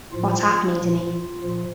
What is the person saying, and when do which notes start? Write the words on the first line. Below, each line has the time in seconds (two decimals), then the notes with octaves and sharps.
What's happening to me?
0.12 A2 F3 F4
0.77 A#2 F3
1.42 A#2 F3